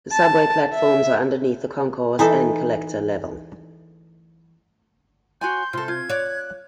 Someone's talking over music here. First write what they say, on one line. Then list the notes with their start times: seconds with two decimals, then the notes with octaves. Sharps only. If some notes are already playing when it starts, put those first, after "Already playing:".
The subway platforms are underneath the concourse and collector level.
0.13 A5
0.74 E5
2.19 E3 D#4 A4
5.41 F#4 C#5 G#5 C6 G6
5.73 C3 F4 A4 C6
5.88 F4 G#6
6.09 C#5 D5 F#6